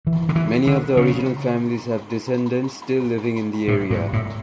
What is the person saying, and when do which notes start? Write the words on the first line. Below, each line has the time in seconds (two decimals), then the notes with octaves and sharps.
Many of the original families have descendants still living in the area.
0.07 E3
0.29 D3
0.36 E3
0.67 D3
0.97 C#3
3.68 A2
3.90 G2
4.13 A2